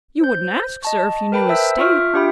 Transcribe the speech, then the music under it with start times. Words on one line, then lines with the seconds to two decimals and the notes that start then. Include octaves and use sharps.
'You wouldn't ask, sir, if you knew his state.
0.21 C5 G6
0.83 D#5 A5 C#6
1.32 A#4 B4 G5 A5 B5
1.48 C5 E5 E6 B6
1.78 F4 E5 C#6 F6
2.14 D4 F4 G4 E5 G5 B5